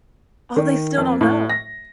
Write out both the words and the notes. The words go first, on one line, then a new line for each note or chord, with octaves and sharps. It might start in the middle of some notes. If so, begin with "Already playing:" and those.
Oh, they still don't know.
D#3
F2
A2
A#6